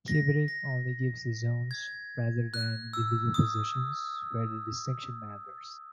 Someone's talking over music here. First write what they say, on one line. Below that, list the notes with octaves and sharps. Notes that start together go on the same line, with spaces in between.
Kibrik only gives the zones rather than individual positions where the distinction matters.
A#6
A#6
G#6
F#6
E6
D#6